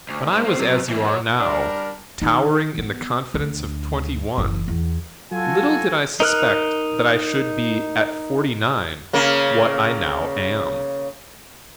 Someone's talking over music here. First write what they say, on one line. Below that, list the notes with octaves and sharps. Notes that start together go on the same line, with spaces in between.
When I was as you are now, towering in the confidence of twenty-one, little did I suspect that I should be at forty-nine, what I now am.
D2
G#2 G#3
A#3 C5
F#3 C4
E3 A#3
F#4 C#5
G3 D4 A#4
D#3
B3
D2
F#1 E3
E2
F#3 F4 F#4 A4 G#5
D#4 A#4 F6 F#6
C#3 A#3